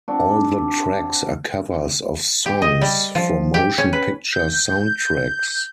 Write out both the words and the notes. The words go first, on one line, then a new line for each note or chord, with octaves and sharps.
All the tracks are covers of songs from motion picture soundtracks.
C4 D4 F#4 D5
G4
D#5
G3
F3
G4
C#4
B4
G6